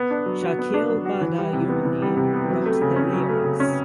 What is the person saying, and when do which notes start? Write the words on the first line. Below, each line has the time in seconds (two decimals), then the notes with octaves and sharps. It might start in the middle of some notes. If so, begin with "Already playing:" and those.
Shakeel Badayuni wrote the lyrics.
Already playing: B3
0.10 D4
0.26 F#3
0.43 F#4
0.59 B3
0.74 D4
0.89 F#3
1.05 F#4
1.21 E3
1.38 G3
1.53 C3
1.69 B3
1.85 E3
2.02 G3
2.17 C3
2.33 B3
2.50 F#3
2.66 A3
2.81 C#3
2.96 C#4
3.13 F#3
3.29 A3
3.44 C#3
3.60 C#4